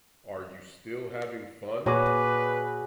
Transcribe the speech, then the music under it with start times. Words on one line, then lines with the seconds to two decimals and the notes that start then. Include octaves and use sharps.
Are You Still Having Fun?
1.86 A#2 F#4 G#4 B4 C#5 D5